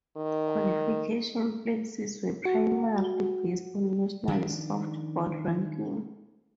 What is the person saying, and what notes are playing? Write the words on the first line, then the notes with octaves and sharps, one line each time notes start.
Qualification places were primarily based on national softball ranking.
D#3
F#4
D#3 F3 A3 D4